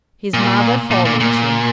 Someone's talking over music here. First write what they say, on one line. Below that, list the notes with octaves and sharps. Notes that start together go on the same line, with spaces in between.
His mother followed him.
A#2
A#2
A#2
A#2